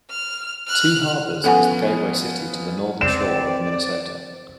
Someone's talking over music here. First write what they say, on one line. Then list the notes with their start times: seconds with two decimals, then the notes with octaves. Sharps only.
Two Harbors is the gateway city to the Northern Shore of Minnesota.
0.11 F6
0.68 F6 F#6
1.44 F3 B3 C#4 A4 F#5 G#5
3.01 C4 D5 E7